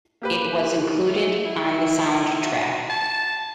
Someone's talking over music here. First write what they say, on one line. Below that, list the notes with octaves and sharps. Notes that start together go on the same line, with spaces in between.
It was included on the soundtrack.
A#3 G4 B4
A3
E4
F#4
A5